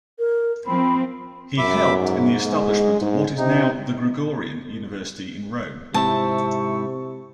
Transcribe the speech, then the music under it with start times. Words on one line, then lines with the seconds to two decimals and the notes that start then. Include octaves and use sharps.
He helped in the establishment of what is now the Gregorian University in Rome.
0.19 A#4
0.67 F3 C4 B5
1.58 F#2 E5 B5 D6
1.96 G#2
2.46 G#3
3.01 G#2
3.37 C3 D#4
5.94 G#2 C3 C4 E4 A5 C#6